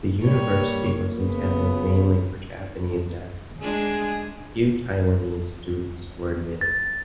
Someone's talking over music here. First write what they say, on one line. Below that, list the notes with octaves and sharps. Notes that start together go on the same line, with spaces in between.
The University was intended mainly for Japanese nationals; few Taiwanese students were admitted.
G3 A#3 C#5
C#3 B3
G#3 D4 G#4
A6